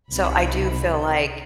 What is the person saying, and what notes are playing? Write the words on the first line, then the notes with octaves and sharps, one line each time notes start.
So, I do feel like
C2 C3 D#3 B5